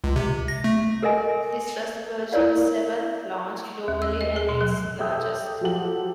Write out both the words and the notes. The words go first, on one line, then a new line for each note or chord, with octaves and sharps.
This was Virgin's seventh launch globally and its largest.
C#2
C3
A#6
A3
A4 A#4 D#5 E5 G#5
E4 A#4 C#5 D5 F5
D#2
E6
D#5
G#4
B2
F#3
G4 A4 E5 D#6 E6 G6
F3 F#3 G4 A4 F#5 F#7